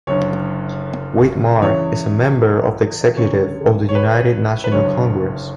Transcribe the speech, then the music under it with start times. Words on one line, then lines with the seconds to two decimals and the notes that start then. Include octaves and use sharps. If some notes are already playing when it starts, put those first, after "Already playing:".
Wade Mark is a member of the executive of the United National Congress.
0.07 F#1 F#2 D3 C#5
1.61 E2 C#3 E3 C#5
3.17 D2 C#3 F#3 C#5
3.89 C#5
3.95 B4
4.64 B4
4.72 F#1 F#2 D3 F#3 C#5